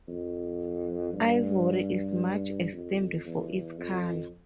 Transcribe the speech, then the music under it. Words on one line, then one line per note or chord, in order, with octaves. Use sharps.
Ivory is much esteemed for its colour.
F2
G2
F2
E2
F2